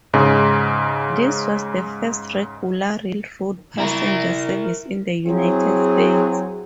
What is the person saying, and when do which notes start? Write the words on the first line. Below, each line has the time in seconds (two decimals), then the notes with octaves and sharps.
This was the first regular railroad passenger service in the United States.
0.13 G#2 C#3
3.78 E4 A#4
5.27 F#3 C4 E4 G#4